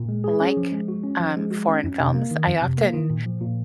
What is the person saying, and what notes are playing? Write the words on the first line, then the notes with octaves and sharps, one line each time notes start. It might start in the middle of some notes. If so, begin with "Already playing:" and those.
like, um, foreign films, I often
Already playing: A#2
G#3
G#4
C#4
F3
G#3
F#4
C#4
F3
G#3
F#4
C#4
F2
C3
A#3
D#3
F2
C3
A#3
D#3
A#2
F3
A#2